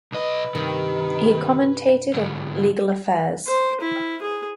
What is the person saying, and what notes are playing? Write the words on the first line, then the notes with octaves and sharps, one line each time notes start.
He commentated of legal affairs.
B1 B4 D#5
G2 C3 D#3 A#4
G#2 D3
C5
E4
G#4